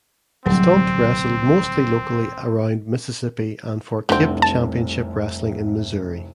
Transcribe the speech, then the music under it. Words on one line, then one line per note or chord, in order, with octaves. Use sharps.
Stunt wrestled mostly locally around Mississippi and for Cape Championship Wrestling in Missouri.
D1 C2 F#3 G3 C4
F1 C2 D3 C4
A5